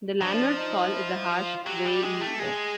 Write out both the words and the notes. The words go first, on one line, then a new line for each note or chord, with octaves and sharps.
The lanner's call is a harsh "wray-e".
F3 D4
D#4
E4
F4
F#3 G4
G3
G#3
A3
G#3 G#4